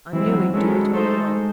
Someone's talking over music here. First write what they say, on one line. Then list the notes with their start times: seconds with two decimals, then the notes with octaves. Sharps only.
I knew he'd do it all long.
0.13 E3 G#3 C4 E4
0.27 F#3
0.40 F#3
0.53 D#3 F#3 G#3 C#4 E4 A4
0.93 A3 D#4 A4 C5